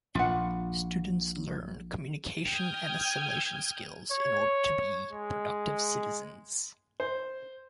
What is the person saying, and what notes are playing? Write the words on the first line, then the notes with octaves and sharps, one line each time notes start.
Students learn communication and assimilation skills in order to be productive citizens.
A#1 F4 F#5
G5 D#6 F6 G6 G#6
C#5
G#3
C5